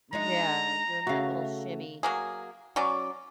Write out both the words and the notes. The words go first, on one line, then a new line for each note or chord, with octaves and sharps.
yeah, doing that little shimmy.
G#3 D4 D#4 A#5
C#3 A3 F#4 F5
F#3 A#3 G#4
F#3 C#4 D5